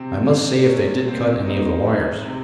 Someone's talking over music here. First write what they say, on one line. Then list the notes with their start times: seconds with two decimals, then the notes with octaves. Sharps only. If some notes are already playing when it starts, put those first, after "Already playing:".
"I must see if they did cut any of the wires."
Already playing: C3 C4
0.29 G#3 C#4
0.68 A#3 C#4
1.08 A#3 C4
1.46 D#4
1.87 G#3
2.25 C3